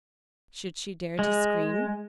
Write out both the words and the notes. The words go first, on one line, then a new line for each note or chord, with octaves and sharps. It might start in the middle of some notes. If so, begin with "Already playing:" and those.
Should she dare to scream?
G#3